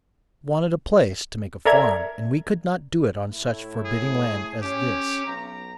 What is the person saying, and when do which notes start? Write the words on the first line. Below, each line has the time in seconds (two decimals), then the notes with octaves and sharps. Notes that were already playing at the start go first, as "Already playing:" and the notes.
We wanted a place to make a farm, and we could not do it on such forbidding land as this.
1.65 A4 A#4 D5 E5 A#5 G#6
3.32 A2 A3 E4
3.85 G#4
4.62 C#4 G4
5.25 B1 A#5